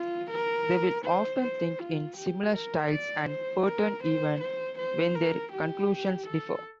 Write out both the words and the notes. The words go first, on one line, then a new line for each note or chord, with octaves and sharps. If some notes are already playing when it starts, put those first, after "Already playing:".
They will often think in similar styles and patterns even when their conclusions differ.
Already playing: F4
A#4
C5
C5
F4
G4
A#4
D5
C5
A#4
C5
C5
C5
A#4
G4
A4